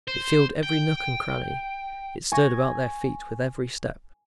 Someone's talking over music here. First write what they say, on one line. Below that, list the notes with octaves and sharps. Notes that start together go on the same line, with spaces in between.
It filled every nook and cranny; it stirred about their feet with every step.
C5
G5
G#5 C#6 A#6